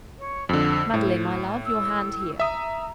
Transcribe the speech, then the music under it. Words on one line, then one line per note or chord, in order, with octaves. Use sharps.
Madeline, my love, your hand here.'
C#5
F2 D3 E6
A2 C5
E6
E5 A#5 D#6